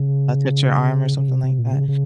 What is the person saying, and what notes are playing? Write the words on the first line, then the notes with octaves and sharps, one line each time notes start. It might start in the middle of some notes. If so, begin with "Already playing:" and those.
touch your arm or something like that,
Already playing: C#3
C#3
C3
C3
A#2
C#3
C#3